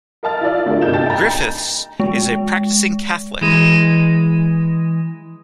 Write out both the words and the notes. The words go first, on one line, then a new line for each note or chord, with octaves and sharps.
Griffiths is a practising Catholic.
A#4 D#5 F5 A5 F6 A6
E4 F4 D5
D3 A3 F4 F#4 G#4 A#4
G1 C3 D#4 G6 E7
D#5 G5 A5 A6
G5 A#5
G#3
E3 G#3